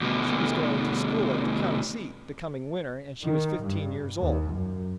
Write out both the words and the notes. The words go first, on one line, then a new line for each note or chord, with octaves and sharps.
She was going to school at the county seat the coming winter and she was fifteen years old.
D2 B2
D#3
G2
D#2
F#2